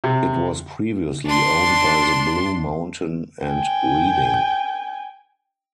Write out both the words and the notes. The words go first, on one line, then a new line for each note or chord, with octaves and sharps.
It was previously owned by the Blue Mountain and Reading.
C3
D4 C6
G5 G#5